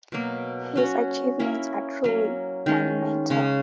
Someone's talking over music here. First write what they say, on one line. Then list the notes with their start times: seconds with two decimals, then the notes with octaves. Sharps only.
His achievements are truly monumental.
0.12 B2 F#3 A#3
0.76 F#3 C#4 F#4
1.39 A#3 C#4 E4
2.04 F#3 A#3 C#4
2.66 D#3 G#3 C#4
3.30 C#3 G#3 C#4